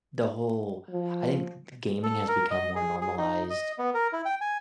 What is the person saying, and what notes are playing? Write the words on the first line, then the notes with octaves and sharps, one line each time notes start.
The whole I think g g gaming has become more normalized,
F3
A4
A#4
D#5
G#4
G#4
D#4
D#5
B3
A#4
E4
G5
G#5